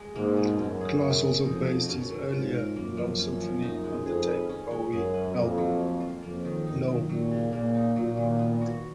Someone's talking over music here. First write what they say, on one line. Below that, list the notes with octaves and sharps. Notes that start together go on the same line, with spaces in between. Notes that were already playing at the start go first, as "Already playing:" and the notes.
Glass also based his earlier Low Symphony on the David Bowie album, "Low".
Already playing: G#3 G#4
G#2 A#3
B2
F#2 C#4
G#4
G#3
B2
F2 D#4
B2
F#2 C#4
F#3
G#2 F4
A#4
F#2 A#3
F3
C#4
F3
F#2 D#4
G#3
F2 G#4
B4
C#4
G#3
F#2 G#4
B4
F2 A#3
F#3
C#4
F4
F2 A#3
D#3
F#2 D#4
D#3
A#2 F#3
C#3
A#2 A#3
D#4
A#2 F#3
D#3
B3
F#4